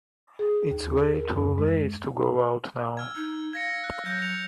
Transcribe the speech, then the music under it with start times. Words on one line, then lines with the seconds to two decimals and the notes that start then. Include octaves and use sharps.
It's way too late to go out now.
0.39 G#4
0.71 D#2
0.96 G#4
1.15 A#4
1.29 F#2
1.58 G#3
2.97 E6 F6 G#6
3.15 D#4
3.53 F5 G#6 A#6 C#7
3.84 F#6
4.05 F#3 G6 A#6
4.19 C#7 F7